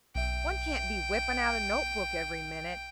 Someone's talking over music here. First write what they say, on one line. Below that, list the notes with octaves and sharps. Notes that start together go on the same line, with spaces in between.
One can't be whipping out a note-book every minute.
B1 E5 G5